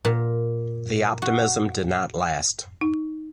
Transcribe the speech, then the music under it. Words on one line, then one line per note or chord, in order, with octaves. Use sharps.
The optimism did not last.
A#2
F#4
D#4